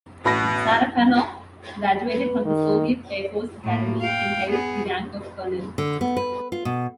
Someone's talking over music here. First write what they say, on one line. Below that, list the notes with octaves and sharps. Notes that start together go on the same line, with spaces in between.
Sarafanov graduated from the Soviet Air Force academy and held the rank of Colonel.
A1 B2 B5 A#6
B4
D#3
A2 A#3
F5 G5
B3 G#4
D3
B3
B4
F4
B2